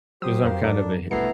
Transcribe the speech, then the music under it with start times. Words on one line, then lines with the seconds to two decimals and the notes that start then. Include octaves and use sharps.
'cause I'm kind of a hi
0.22 F#3 G4 C5 D#6
0.44 F2 A#4 F5
0.63 G#2 F#3 D4 D#4 A4 A#4
1.11 A#1 G2 B2 A3 B3 E4 A#5 C7